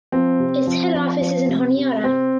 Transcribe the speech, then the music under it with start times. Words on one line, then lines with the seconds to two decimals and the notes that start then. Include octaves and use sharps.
Its head office is in Honiara.
0.12 F3 C4
0.39 C3
0.67 F3
0.94 F3
1.21 F3
1.49 C3
1.76 C3
2.04 C3 C4